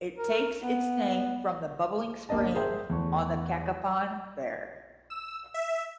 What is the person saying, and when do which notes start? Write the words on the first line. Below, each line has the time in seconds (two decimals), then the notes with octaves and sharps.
It takes its name from the Bubbling Spring on the Cacapon there.
0.18 A#4
0.63 B3
2.29 G1 A#3 D4 D#5 A5
2.55 G#4 A#4 C5 E5 G5
2.90 E2 A3 C#6
5.10 E6
5.54 E5